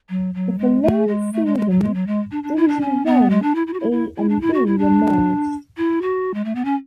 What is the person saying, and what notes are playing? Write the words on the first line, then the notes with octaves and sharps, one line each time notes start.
The following season, Division One A and B were merged.
F#3
F#3
G#3
A3
G#3
A3
G#3
G#3
F#3
G#3
F#3
G#3
D4
D4
E4
D4
C#4
B3
G#3
D4
E4
E4
F#4
E4
E4
E4
D4
E4
F#4
E4
D4
E4
F#4
G#3
A3
B3
C#4